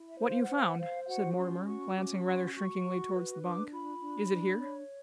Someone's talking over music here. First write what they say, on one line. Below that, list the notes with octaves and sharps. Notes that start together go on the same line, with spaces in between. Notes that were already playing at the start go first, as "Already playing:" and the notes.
What you found,' said Mortimer, glancing rather shrinkingly towards the bunk; 'is it here?'
Already playing: E4
E5
C5
F5
F#5
C5
F5
F#5
C5 F5
F5
F#4 F#5
C#4 C6
F#4 C#6
C#4 D6
F#4 C6
F#4 C#6
F#4
B4
D4 D6
F4 B5
D4
D4
C#5